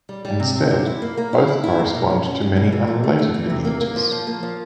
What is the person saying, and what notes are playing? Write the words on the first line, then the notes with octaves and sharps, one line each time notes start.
Instead, both correspond to many unrelated lineages.
G3
G3
C3
C3
C3
E4
A#3
A#3
E4
E4
E4
A#3
B2
C#4
C#4
G3
B2
E3
A3
A3
A3
E3
C3
A#3
A#3
F3
F3
A#3
F3